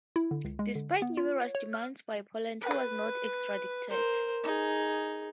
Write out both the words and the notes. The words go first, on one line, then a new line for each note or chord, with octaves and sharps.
Despite numerous demands by Poland, he was not extradited.
E4
D3
C#2
G#3
D3
B3
F4
C#5
C#5
F6
B4
A#4 C5
D#4 G#4